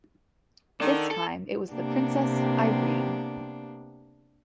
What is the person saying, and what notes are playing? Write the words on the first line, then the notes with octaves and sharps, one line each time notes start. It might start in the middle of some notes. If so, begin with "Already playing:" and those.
This time it was the "Princess Irene".
D#3 D4 A4
A4
C3 A#3 B3 D4 G4